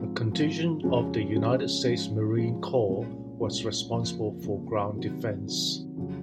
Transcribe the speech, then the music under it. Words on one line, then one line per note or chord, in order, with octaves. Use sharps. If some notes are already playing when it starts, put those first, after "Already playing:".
A contingent of the United States Marine Corps was responsible for ground defense.
Already playing: G#2 F3 C4
G#2 F3 C4
F2 C#3 G#3 C#4 F#4
F2 C#3 G#3 C#4 F#4
G#2 F3 G#3 C#4 F4
G#2 F3 G#3 C#4 F4
C2 A#2 G#3 C#4
C2 A#2 G#3 C#4
F2 C#3 F3 A#3
F2 C#3 F3 A#3
C3 D#3 F#3
C3 D#3 F#3
F2 C#3 F#3